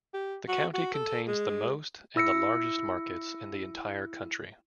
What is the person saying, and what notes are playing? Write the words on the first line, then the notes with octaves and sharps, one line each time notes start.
The county contains the most and the largest markets in the entire country.
G4
F#4
F#4
A4
G#3
E4 E6 A#6 C#7